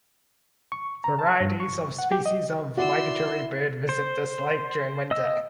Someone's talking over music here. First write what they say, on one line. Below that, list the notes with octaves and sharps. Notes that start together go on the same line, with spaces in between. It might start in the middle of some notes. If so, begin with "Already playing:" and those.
Varieties of species of migratory bird visit this lake during winter.
C#6
A#5
A5
G2
C#6
F#5
G4
D#5
E4 F#4 D5 C6 E6
C5
D#5 E6